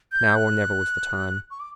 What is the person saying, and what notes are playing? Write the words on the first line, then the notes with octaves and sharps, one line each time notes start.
Now or never was the time.
G6
F#6
C#6
D6